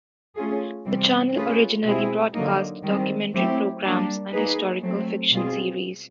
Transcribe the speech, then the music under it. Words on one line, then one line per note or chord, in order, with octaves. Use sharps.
The channel originally broadcast documentary programs and historical fiction series.
A3 C#4 F4 G#4
C3 E3 G3 C4
A3 C#4 F4 G#4 B4
B2 G#3 C4 E4 G#4
D3 F#3 A#3 D#4
D#3 G3 C4
F#3 A3 C4 E4 G4
G3 A#3 D4
A#3 D#4 G#4 B4
F#3 A3 C4
B2 G3 C4 F4 G#4